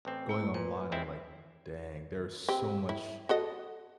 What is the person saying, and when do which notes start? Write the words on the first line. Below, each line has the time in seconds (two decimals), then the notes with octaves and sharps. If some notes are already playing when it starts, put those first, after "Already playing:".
going online, I'm like, "Dang there's so much
0.05 A1 C4
0.29 A3 E4
0.54 A#2 B4
0.92 G#3 C4 E4
2.49 C4 G4
2.89 E4
3.29 F#4 A4 D#5